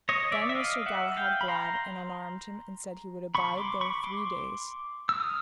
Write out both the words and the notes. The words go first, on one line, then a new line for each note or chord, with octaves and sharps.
Then was Sir Galahad glad, and unarmed him, and said he would abide there three days.
C#5 D#5
D5 E5
E5
D#5 F5
E5 F#5
F5 G5
B5
A#5 C6
B5 C#6
C6 D6
B5 C#6
C6 D6
E6
D#6 F6